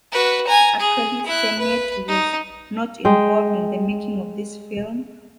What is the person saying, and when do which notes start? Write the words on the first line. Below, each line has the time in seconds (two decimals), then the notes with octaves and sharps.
Actually, Sennett was not involved in the making of this film.
0.12 F#4 B4
0.47 G#5 A#5
0.80 G#4
1.26 E4 F#6
1.59 B4
2.08 D#4
3.05 G#3 G5